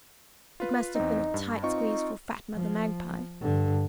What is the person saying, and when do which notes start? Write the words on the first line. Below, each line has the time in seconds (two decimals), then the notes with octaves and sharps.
It must have been a tight squeeze for fat Mother Magpie!
0.60 F4 B4
0.95 E2 C4 D#4
1.34 G2
1.63 C4 D#4 F4 C#6
2.55 F3
3.41 G2 D3